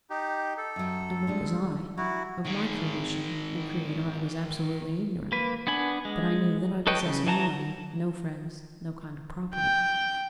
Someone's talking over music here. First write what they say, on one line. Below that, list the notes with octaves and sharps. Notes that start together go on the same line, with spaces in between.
And what was I? Of my creation and creator I was absolutely ignorant, but I knew that I possessed no money, no friends, no kind of property.
D#4 G4
A4
F#2 F#3
G3 G#3 D4
F#3 E4 F#4
D#3 G#4
A#3 B4
B3 D4 G#5 B5
G#3
A4 B4 C#5 D#5 G5
C#3
E3 F#3 A5 A#5
G5